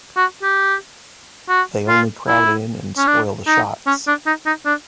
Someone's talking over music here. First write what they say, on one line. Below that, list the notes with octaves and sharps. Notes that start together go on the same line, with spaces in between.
They only crowd in and spoil the shots.
F#4
G4
F#4
F4
E4
C#4
D4
D#4
C#4
D4
D#4
D#4
D4